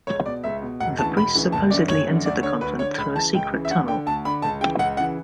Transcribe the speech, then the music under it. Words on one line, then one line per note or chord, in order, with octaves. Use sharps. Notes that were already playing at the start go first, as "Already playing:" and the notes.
The priests supposedly entered the convent through a secret tunnel.
C#2 C#5
B2 D5
C#2 E5
B2
E1 F#5
D2 C#3 E3 A5
E1 B5
D2 C#3 E3
F#1 A5
F#2 D3 D5
F#1 C#5
F#2 D3
D2 D5
D3 C#5
D2 B4
D3 C#5
C#2 B5
C#3 E3 A5
C#2 G5
C#3 E3
E5
D2 F#5
D3 G5
D2 A5
D3 B5
C#2 A5
C#3 E3 G5
C#2 F#5
C#3 E3 F#5